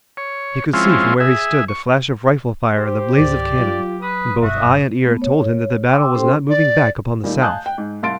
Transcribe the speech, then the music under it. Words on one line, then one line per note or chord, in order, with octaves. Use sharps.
He could see from where he stood the flash of rifle fire and the blaze of cannon, and both eye and ear told him that the battle was not moving back upon the South.
C#5
F3 G#3 C4 C#4 E4 F4
G#4 E5
C#6
G4 C5
C#2 G#2 D#3 D5
F#3 F4
B4 D#6
F#1 G2 B2 F#4 E5 D#6
A3 B3
C#5
G5 C6 D6 E6
C#4 G4 A4 C5 G5 C6
D5
A#2 D#3 G3 A3
F5 G#5 A5 D#6 F#6 G6
G5
G#2
C2 F5 C6 A6 D7